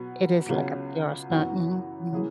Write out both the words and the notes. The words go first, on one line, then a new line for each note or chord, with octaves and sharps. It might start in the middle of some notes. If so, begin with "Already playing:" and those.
It is, like, a PR stunt. Mhm, mhm.
Already playing: B2 F#3 B3
C#2 C#3 F#3 B3
F#2 E3 B3 F#4
C#3 E3 A#3 E4 G#4